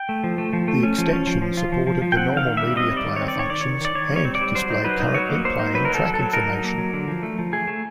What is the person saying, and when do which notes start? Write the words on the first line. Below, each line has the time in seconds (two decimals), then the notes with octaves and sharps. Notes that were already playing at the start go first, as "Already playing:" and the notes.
The extension supported the normal media player functions and displayed currently playing track information.
Already playing: G5
0.09 A3
0.24 F3
0.38 A3
0.53 F3
0.68 A3
0.83 C#4
0.98 F3
1.13 C#4
1.27 F3
1.42 F3
1.57 F4
1.72 F3
1.87 F3
2.02 F3
2.12 G5
2.16 C4 F#5
2.32 D#3 F5
2.47 D#3
2.57 G3 E5
2.76 C4 D#5
2.91 G3
2.97 D5
3.06 D#3
3.16 C4 C#5
3.28 D5
3.36 D#3 C#5
3.50 D#3 D5
3.61 D#3 C#5
3.81 D#3 D5
3.95 D#3 C#5
4.11 G3 C#5
4.25 C4
4.35 D5
4.41 G3
4.55 F#3 C5
4.70 D#4
4.84 F#3 B4
5.00 D#4
5.14 F#3 C#5
5.29 A#3
5.45 A#3 C5
5.59 D#4
5.74 F#3 B4
5.85 A#4
5.90 F#3 A4
6.05 F#3
6.14 A4
6.19 F#3
6.33 D#4 A#4
6.49 F#3
6.64 A#3
6.78 F#3
6.93 D3
7.08 F3
7.23 A3
7.39 F3
7.53 A3 G#4
7.67 A3